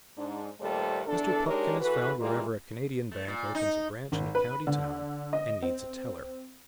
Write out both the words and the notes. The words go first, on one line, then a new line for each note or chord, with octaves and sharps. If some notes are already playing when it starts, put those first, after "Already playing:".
Mr. Pupkin is found whenever a Canadian bank opens a branch in a county town and needs a teller.
G#2 D4
D#2 A#2 G3 A3 A4 C5
E2 D4 A4
G#3 D4 D#4 G4 A#4 C#5
E3 F#4 A4 B4
E3 G3 G#3 A#3 F4
A3
A#2
D#4
G#1
B4
D3
D#5
C4